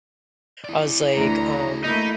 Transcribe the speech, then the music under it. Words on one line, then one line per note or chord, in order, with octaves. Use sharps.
I was, like, um,
E4 D5
D2 E3 A#5
A3 A#3 D#4 E4